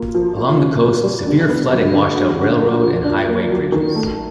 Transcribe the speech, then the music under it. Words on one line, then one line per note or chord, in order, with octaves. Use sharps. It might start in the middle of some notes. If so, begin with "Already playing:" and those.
Along the coast, severe flooding washed out railroad and highway bridges.
Already playing: A#3 F4
F3
F4
C#4
A#3
G3
D3
B3
F#3
D3
F#4
C#4
A#3
F3
D4
A#3
F#3
D#3
A3